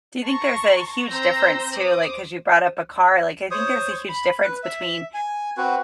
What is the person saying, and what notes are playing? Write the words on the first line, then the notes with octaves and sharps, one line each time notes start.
Do you think there's a huge difference, too, like, 'cause you brought up a car? Like, I think there's a huge difference between
A5 A#5 C6 C#6
C4 C5 A#5 C6 E6 G6
C5 D6 D#6
C5 C#5 D#6
B5
B4
E5
G#5
C4 F#4 B4